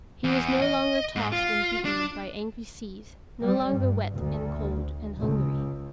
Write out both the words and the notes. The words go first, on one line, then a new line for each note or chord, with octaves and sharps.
He was no longer tossed and beaten by angry seas, no longer wet and cold and hungry.
E2
D#5
G#2
F4
D4
G3
G2
D2
C#2